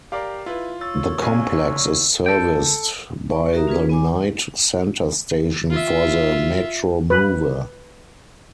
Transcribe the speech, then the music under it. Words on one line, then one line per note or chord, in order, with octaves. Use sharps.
The complex is serviced by the Knight Center station for the Metromover.
G4 A#4 D5 F5
E4 F4 B4
C#5 E6 A6
A#1 F#2 C3 F5 G#5
A4 G5
D5 C#6
F#4 G4 A#4 E5 A#5 D#6
C#4 F4 G#4 B4
B3 G#5 D6
F4 E5
B4